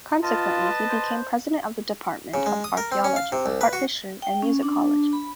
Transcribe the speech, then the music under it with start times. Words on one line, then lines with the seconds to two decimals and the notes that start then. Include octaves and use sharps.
Consequently, he became president of the Department of Archaeology, Art History, and Musicology.
0.22 F4 B4 D#5 A5
0.89 C5
2.34 C#3
2.46 G#3
2.64 D#6
2.77 A#4
2.92 C4
3.04 C#4
3.16 F5
3.32 C3
3.46 C2
3.61 B4
3.73 F#4
4.22 G5
4.42 C#4
4.63 D4
5.13 B5